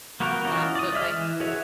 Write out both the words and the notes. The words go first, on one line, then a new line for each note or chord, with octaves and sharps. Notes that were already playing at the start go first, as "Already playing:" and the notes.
that, but, like
A#3 B3 F#4 G4 A#4
E3 C#4 F4 F#4 D#5
D5 D#6
G#3 D#5 E5 F6
E3
F#4 G#4 B4 C#5 E5